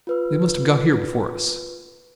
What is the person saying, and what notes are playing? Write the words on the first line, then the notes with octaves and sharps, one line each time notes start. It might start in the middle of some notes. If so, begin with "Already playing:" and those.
"They must have got here before us."
F4 B4 E6